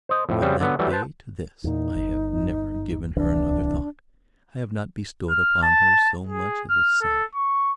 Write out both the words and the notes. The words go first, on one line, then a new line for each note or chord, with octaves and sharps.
From that day to this I have never given her another thought; I have not bestowed upon her so much as a sigh.
C5 D#5
F2 A2
C#3 G3 C4 F#4 C5
D3 F#3 B3
E3 F#3 G3 A3
B4 C5 A5
E2 A#2 D#4
G1
D1 C2 E3 D4
F6
A5
G#4
F6
A4
C#6